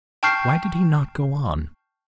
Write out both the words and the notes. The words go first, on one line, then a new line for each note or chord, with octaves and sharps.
Why did he not go on?
G5 A5 C#6 F6 G6 C7